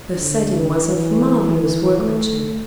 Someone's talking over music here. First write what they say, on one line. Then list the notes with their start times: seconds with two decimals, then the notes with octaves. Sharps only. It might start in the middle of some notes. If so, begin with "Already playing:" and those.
The setting was of marvelous workmanship.
0.16 D3
0.76 E3
1.99 A3